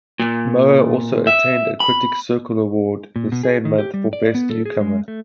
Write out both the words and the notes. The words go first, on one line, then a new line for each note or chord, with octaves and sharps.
Mower also obtained a Critics' Circle Award the same month for Best Newcomer.
A#2
E5
B5
A#2
B2
G#4
D#3
G4
G3
D5
B3
A4
G#4
G#3
A3